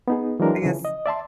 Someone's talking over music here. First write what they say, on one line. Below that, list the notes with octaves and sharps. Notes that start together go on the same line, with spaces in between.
I guess
B3 D#4 G#4
E3 F#3 G#3 D4 A#4
C#3 E3 F3
D#5
D5 E5 A5 C6